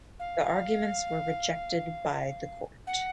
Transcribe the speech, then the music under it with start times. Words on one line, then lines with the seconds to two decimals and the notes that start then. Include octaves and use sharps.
The arguments were rejected by the court.
0.19 F5
2.87 F#5